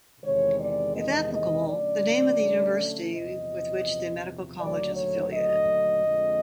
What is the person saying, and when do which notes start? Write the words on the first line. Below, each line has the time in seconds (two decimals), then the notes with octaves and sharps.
If applicable, the name of the university with which the medical college is affiliated.
0.23 E2 C3 D#3 G#3 C#5
0.61 D5
0.97 D#5
1.33 D#5
1.69 D3 F#3 A3 C#4 D5
3.14 E2 C3 F3 D#5
4.60 D#2 D3 F#3 A3 D5
4.96 C#5
5.33 D#5
6.06 F2 D3 F3 G#3 C4